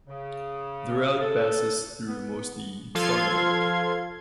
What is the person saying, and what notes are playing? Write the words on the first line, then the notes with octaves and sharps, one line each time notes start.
The route passes through mostly farmland.
C#3
A4
B3
F3 F4 A4 F5 C6 G#6